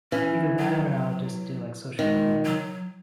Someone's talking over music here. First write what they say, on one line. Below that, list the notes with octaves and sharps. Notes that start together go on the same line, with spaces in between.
either that or I'll, just, do, like, social media.
E3 C#4
F#3
D#3 G#3
F#3